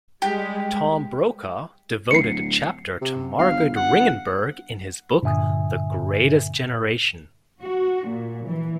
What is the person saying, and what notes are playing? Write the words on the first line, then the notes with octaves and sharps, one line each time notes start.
Tom Brokaw devoted a chapter to Margaret Ringenberg in his book "The Greatest Generation".
G3 G#3 G4
D1 C7 C#7
C3
G1 F5
G1 F#5
G2 A#2 D3 E5 G#5 D#6
F#4
A#2
E3